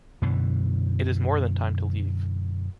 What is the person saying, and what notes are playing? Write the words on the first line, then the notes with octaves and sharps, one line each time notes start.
It is more than time to leave.
F#2 B2 D3 E3